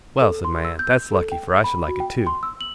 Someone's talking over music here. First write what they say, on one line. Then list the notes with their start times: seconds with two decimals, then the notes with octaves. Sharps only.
'Well,' said my aunt, 'that's lucky, for I should like it too.
0.21 A4
0.45 C6
0.65 E6
0.79 G6
1.12 A4
1.32 G5
1.64 B5
1.88 F#4
2.00 G5
2.27 C6
2.43 E6
2.61 F#7